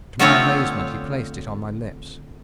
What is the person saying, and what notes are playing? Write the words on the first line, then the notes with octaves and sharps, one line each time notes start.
To my amazement he placed it on my lips.
D3 A3 B3 C4 F4 C#5